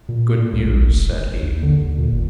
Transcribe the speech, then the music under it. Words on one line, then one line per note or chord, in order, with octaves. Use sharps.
"Good news," said he.
A#2
C#2
A#1
E1
G#1
D#2
D3
D#2
A#2
G1